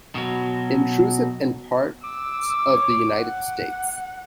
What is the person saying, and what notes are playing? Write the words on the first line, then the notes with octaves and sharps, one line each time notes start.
Intrusive in parts of the United States.
B2 F#3
D6 E6
C#5
F#5